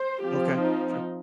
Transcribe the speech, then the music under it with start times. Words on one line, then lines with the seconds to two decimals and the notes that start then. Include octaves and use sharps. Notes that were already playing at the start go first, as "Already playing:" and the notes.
Okay, sure.
Already playing: C5
0.22 F3 C4 G4
0.58 D#4